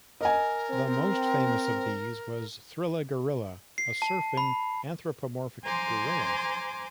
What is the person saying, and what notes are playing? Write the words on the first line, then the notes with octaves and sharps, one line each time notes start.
The most famous of these was Thrilla Gorilla, a surfing anthropomorphic gorilla.
A#4 D#5 G#5
C4
C7
A5
B5
C5 G#5 A#5 C6 D6